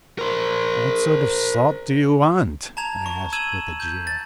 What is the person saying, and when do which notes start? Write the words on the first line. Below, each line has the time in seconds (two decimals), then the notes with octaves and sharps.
"What sort of salt do you want?" I asked with a jeer.
0.19 A#4 C5
2.77 A5 A#5 G#6 F7
3.06 C#6
3.33 E6 G#6 D#7 E7 F#7
3.80 G6
4.07 A6